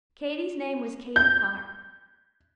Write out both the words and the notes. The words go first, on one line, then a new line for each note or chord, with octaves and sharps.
Katy's name was Katy Carr.
G6